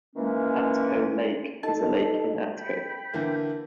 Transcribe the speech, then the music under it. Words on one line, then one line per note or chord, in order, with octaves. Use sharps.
Atco Lake is a lake in Atco.
D#3 E3 G#3 A#3 C#4
D#4 A4 A5
G5 B5
D3 E3 A#3